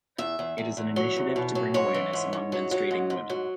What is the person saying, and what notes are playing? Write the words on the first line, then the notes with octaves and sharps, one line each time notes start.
It is an initiative to bring awareness among menstruating women.
E2 E5
E2
E2
E2
F#3
E2
B2
F#3
G#2 C#5
E3
G#2
G#2
F#3
F#3
G#2
G#2
F#3